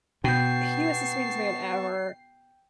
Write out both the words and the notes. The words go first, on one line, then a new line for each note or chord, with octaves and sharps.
he was the sweetest man ever.
B2 B3 G5 A5 C#6 G6 C7